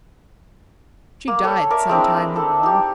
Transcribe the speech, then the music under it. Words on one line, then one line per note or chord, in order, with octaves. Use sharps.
She died some time ago.
A#3
A4 C#5
A#4 D5 E5 C#6
G#3 C4 D4 E4
A4
D#4 G4